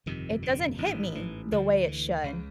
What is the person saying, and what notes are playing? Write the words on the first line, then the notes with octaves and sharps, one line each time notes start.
It doesn't hit me the way it should.
G1 F2 C3 D#3
D3
A1 G#2 D#3
E3
D2 D3 F3
E3
C#2 C#3